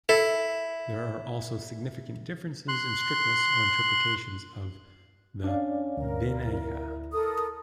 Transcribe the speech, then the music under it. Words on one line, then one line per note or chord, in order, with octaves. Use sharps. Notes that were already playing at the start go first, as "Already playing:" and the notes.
There are also significant differences in strictness or interpretation of the "vinaya".
E4 A4
C6 F#6
C#4 D4 D5 F5
D2 A#4
E4
A4 A#4 D#6